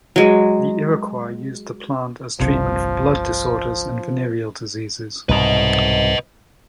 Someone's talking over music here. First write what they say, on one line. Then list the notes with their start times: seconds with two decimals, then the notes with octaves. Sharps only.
The Iroquois used the plant as treatment for blood disorders and venereal diseases.
0.16 F#3 G#3
2.40 G1 C2 C3 F3
5.29 C2 G#2 B2 B4 D#5